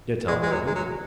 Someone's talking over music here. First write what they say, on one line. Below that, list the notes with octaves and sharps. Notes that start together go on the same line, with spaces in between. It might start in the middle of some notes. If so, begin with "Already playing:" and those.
Get on.
G#3
G#3
F#3
G#3
F#3